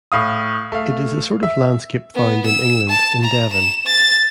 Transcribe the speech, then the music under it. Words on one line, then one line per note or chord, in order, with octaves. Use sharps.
It is the sort of landscape found in England in Devon.
A2 F5 D#6
A3 F5
E5
B3
E6
A5
A#5
E7
A6